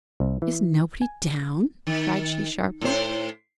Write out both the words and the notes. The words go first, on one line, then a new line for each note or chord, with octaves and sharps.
"Is nobody down?" cried she, sharply.
C2
E3
G#5
D#3
A2 C5